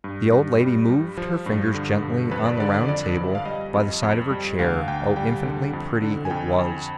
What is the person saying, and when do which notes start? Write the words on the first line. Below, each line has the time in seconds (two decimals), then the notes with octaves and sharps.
The old lady moved her fingers gently on the round table by the side of her chair,.. oh, infinitely pretty it was....
0.04 G2
0.32 G2
0.60 G3
0.89 G3
1.17 F3
1.46 G2
1.74 D3
2.02 G2
2.31 F2 B4
2.45 D5
2.60 D3 D5
2.74 D5
2.88 F2 D5
3.17 F2
3.35 F5
3.45 G3 D#5
3.74 F2
4.03 F2
4.30 G3
4.59 D2 F5
4.88 D2 G5
5.16 G3 G5
5.45 D3
5.73 F2
6.02 D3
6.25 G#5
6.30 F2 G5
6.59 F2